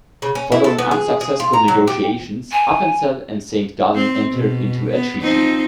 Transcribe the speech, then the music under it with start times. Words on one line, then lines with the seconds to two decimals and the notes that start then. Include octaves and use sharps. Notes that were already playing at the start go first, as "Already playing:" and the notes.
Following unsuccessful negotiations Appenzell and Saint Gallen entered into a treaty.
0.22 C#3
0.35 C#4
0.52 E4
0.64 A4
0.78 B3
0.91 G#4
1.21 G#4
1.40 F4
1.53 A#5
1.68 F#3
1.87 G4
2.51 G#5
3.95 C4
4.31 B2
4.92 B3
5.22 F3 C4 D#4